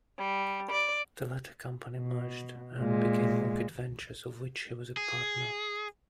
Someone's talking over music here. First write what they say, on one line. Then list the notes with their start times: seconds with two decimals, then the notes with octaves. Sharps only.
The latter company merged and became Rocket Ventures, of which he was a partner.
0.17 G3
0.70 D5
2.00 B2
2.80 A#2 G#3
4.97 G#4